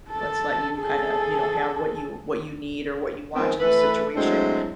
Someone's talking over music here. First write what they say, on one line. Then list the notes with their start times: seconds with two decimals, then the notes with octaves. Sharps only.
let's let you kinda, you know, have what you what you need or what you want in the situation,"
0.10 A4 A5
0.78 G#4 A4
3.35 D#3 F3 G#3 B3 C4
3.59 E3 A3 A4 B4
4.14 F#3 G#3 A3 C4 D4 E4